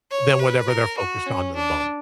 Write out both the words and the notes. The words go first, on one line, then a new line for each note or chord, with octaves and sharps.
than whatever they're focused on in the moment.
C#5
B4
A#4
F#4
C#4
D4